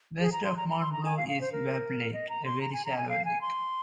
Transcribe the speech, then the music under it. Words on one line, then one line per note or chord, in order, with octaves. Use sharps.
West of Mount Blue is Webb Lake, a very shallow lake.
G#4
A#5
C6
A#5
A#5
C6
A#5
G#5
F5
F5
C5
A#4
D#5
A#5
C6
A#5
G#5
A#5
G#5
F5
G#5
C6